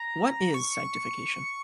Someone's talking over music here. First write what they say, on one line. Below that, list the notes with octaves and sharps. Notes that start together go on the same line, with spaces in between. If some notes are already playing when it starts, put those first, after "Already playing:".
What is sanctification?
Already playing: A#5
C#6